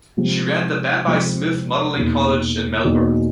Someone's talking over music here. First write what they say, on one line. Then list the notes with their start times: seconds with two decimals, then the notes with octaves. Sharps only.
She ran the Bambi Smith Modelling College in Melbourne.
0.17 C3 F3 G#3 C4 F4
1.06 C3 F3 G#3 C4 F4
1.95 E2 B2 F#3 A#3 D#4
2.84 E2 B2 F#3 A#3 D#4